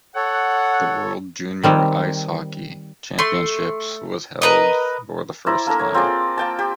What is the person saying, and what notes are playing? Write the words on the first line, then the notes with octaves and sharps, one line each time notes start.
The World Junior Ice Hockey Championships was held for the first time.
A4 C#5 F#5
D#3 G3 C4
A3 C6
A#4 B4 D#5
E4 C5 D5 A#5
A#3 D4 A4 A#4
C#5
C4 F4 G#4 D5
A#3 G5 A5
G4